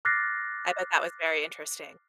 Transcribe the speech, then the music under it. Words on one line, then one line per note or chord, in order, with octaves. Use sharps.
I bet that was very interesting.
D6 F6 F#6 A6 A#6 C7